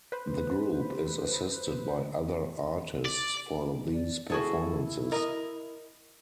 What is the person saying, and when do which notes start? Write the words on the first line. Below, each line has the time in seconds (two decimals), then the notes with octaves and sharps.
The group is assisted by other artists for these performances.
0.12 B4 C5
3.06 D5
3.93 D5
4.30 E4 F#4 G#4 A4
5.12 A#4 D#5